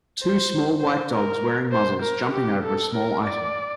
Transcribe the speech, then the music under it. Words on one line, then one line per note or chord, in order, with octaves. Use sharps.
Two small white dogs wearing muzzles jumping over a small item.
C5
C5
A#4
C5
A#4
G4
A4
A#4
D5